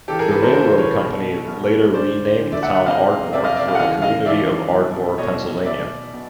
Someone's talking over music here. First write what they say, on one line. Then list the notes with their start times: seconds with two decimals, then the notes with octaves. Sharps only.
The railroad company later renamed the town Ardmore, for the community of Ardmore, Pennsylvania.
0.08 C#2 C#3 E3 G4 A4
0.19 G#4 A#4
0.31 A4 B4
0.43 A#4 C5
0.54 C#2 C#3 E3 A#4 C5
0.78 B4 C#5
1.01 B1 B2
1.48 B1 B2
1.94 D2 D3 C5 D5
2.40 D2 D3
2.52 D5 E5
2.63 E5 F#5
2.75 E5 F#5
2.86 F#1 F2 C3 D#5 F5
3.33 F#1 F2 C3 D5 E5
3.44 D#5 F5
3.56 D5 E5
3.68 D#5 F5
3.75 F#5
3.79 D#2 C#3 E3 D#5 F5
4.02 D#5 F5
4.26 D#2 C#3 E3 D5 E5
4.72 C2 B2
5.18 C2 B2 C#5 D#5
5.65 B1 B2 D5 E5
6.14 B2